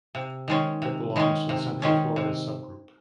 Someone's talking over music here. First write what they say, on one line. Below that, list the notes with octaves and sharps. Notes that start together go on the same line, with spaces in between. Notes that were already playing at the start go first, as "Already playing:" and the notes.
It belongs to the Central Flores subgroup.
C3
D#3 G#3 C#4
C3
D#3 G#3 C#4
C3
D#3 G#3 C#4
C3